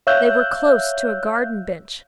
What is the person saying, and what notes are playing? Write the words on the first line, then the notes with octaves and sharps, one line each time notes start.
They were close to a garden-bench.
C#5 E5 F5 E6 F#6 G6